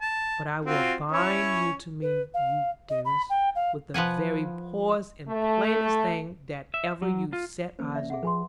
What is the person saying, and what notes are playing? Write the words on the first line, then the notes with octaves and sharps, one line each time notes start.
But I will bind you to me, you dearest, with the very poorest and plainest thing that ever you set eyes on.
A5
C4 F4 F#4
C#4 E4 C#5
B4
F5
D#5
B5
G5
F5
F3 B4 F#5 G#5
A3
E5
F#3
F4
E3 A#3 C#4 C5
D5 E5
C4 G#4 E5 F#5
F3 G#4 B4 G#5 C6